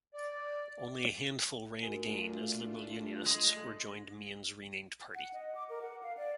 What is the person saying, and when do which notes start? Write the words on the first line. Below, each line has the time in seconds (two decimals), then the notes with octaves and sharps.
Only a handful ran again as Liberal-Unionists or joined Meighen's renamed party.
0.14 D5
1.82 A3 D4 F4 F#4 A#4 G#5
3.26 G#3 A4 F#6
5.15 F#5
5.33 D#5
5.55 D6
5.70 A#4
5.82 F#5
6.03 F5
6.17 D5